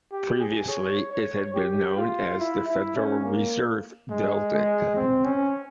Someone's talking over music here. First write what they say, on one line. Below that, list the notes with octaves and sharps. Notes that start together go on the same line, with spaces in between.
Previously it had been known as the Federal Reserve Building.
G4
G#4
C#5
C#5
G4
F4
E4
E4
C#4
A#3
G#3
G#3
C4
C#4